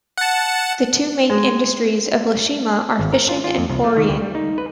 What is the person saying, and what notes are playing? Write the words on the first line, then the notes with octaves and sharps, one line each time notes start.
The two main industries of Ieshima are fishing and quarrying.
F#5 A5
G#3
G#1
A#4
F4
F4
F2
C2
A3
D#3
D2
G3
D#4
B4